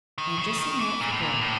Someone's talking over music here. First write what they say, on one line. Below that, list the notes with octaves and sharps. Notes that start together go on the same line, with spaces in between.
I am just setting out for Blois.
D#3
C#3
D#3
E3
A#2
A2
A#2
A2